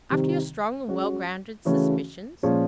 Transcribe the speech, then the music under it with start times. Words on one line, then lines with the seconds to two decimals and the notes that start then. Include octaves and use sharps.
"After your strong and well-grounded suspicions?"
0.10 C3 D#3 G3 C4
0.88 G#3 C#4 F#4
1.65 C#3 E3 A3 C#4 F#4
2.43 A#2 F3 G#3 C#4